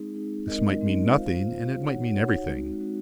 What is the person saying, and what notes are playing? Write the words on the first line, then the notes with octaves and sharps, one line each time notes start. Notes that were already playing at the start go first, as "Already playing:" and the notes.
This might mean nothing, and it might mean everything.
Already playing: G#3 C4 D#4 G#4
G#3 C4 D#4 G#4
G#3 C4 D#4 A#4 D#5
G#3 C4 D#4 A#4 D#5
F4 C5 F5
F4 C5 F5
D#4 F#4 C#5 F#5
D#4 F#4 C#5 F#5
G#3 C4 D#4 F#4
G#3 C4 D#4 F#4